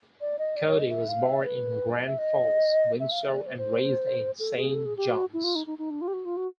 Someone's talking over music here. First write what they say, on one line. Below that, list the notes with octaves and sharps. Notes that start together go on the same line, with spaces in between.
Coady was born in Grand Falls-Windsor and raised in Saint John's.
D5
D#5
D5
C#5
D#5
E5
F5
E5
B4
D#5
E5
D#5
E5
F5
E5
D5
C5
C5
A4
G#4
A4
G#4
G4
F#4
E4
F4
D#4
D#4
D#4
D4
F4
G4
F#4
F4
F#4